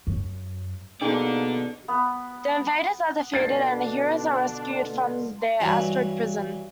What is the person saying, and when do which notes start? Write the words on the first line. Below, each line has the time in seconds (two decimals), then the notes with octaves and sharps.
The invaders are defeated and the heroes are rescued from their asteroid prison.
0.07 F#2
1.01 B2 A#3 D4 D#4 G#4 A4 D5
1.88 B3
3.34 B2 D3 D4 F4 A6 C7
5.61 G2 E3 F#3